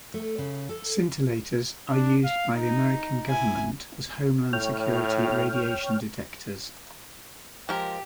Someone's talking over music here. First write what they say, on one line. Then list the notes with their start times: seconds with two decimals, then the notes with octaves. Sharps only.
Scintillators are used by the American government as Homeland Security radiation detectors.
0.14 A3
0.38 C#3
0.69 A4
1.88 D4
2.24 F5
2.55 D#4
3.26 E4 G#5
4.53 A2 C#5 G5 F6
7.69 F3 G#3 G4 A#4